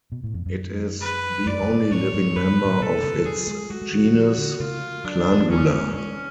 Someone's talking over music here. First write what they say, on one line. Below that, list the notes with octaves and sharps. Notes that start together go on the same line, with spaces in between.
It is the only living member of its genus, "Clangula".
B2
A2
F2
F#2
B4
F#2 D5
F#2
G#2
A2 C#5
G#2
F#2 B4
G#2
A2
B2 A4
C#3
D3
F#3 G#4
G#3
G#3 F#4
G#3
G#3
F#3
F3
D3
C#3 F4
F#3 D4
A3 C#4
G#3 C#4